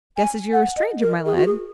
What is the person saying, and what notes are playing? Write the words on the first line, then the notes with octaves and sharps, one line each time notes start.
"Guess as you're a stranger, my lad."
G#5
F#5
D#5
A#4
G#4
F#4
G#4